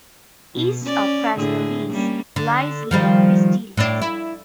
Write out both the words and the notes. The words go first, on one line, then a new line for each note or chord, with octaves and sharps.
East of Krasnolesye lies Lake Vistytis.
B2
C#4 D5
A2 D3 G#4
G3 A#3 C#4
D3
D#3 F3 G3
A2 D4
E4